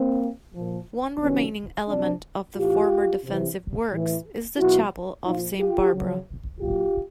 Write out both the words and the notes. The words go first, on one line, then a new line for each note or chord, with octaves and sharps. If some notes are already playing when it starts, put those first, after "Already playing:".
One remaining element of the former defensive works is the Chapel of Saint Barbara.
Already playing: A#3 C4
F3
A#2
C3 D#3 F#3 B3 C#4
C3 F3 C4 D4
A2 E3 F4 G4
C3 E3
A2 E3
B2 F#3 E4 F#4
A#2 F3 D#4 F4
F4 G4
C#3 F#3
A#2 F#3 F4 G4